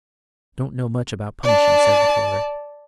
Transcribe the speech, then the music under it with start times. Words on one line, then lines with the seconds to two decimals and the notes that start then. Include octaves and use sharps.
"I don't know much about punishing," said the tailor.
1.44 D5 A5